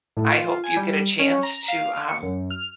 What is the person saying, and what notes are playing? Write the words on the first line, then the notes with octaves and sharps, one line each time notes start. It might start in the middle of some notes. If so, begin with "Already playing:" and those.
I hope you get a chance to um
A2
F4
G#5
G3
C#4
A#5
F5
C#7
F#2
F6